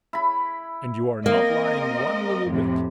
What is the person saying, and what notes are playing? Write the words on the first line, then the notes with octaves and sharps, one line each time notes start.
And you are not lying one little bit.
E4 B5
A#3 C4 A#4 D#5
F2 A2 C3